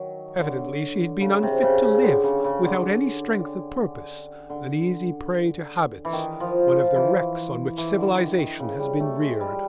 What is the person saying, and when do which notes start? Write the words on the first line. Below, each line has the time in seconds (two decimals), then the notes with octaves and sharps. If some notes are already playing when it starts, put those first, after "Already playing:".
Evidently she had been unfit to live, without any strength of purpose, an easy prey to habits, one of the wrecks on which civilisation has been reared.
Already playing: D#3 F#3
0.40 D3
1.21 C#3
1.43 C3
1.63 C#3
1.83 C#3
2.03 D3
2.24 C#3
2.44 C#3
2.65 D3
4.50 D3
6.05 E3
6.13 D#3
6.40 F3
6.68 F3
6.96 E3
7.78 E3
7.98 D3
8.19 D#3
8.38 D#3
8.60 C#3
8.79 G3
9.00 A3
9.21 G#3
9.41 G3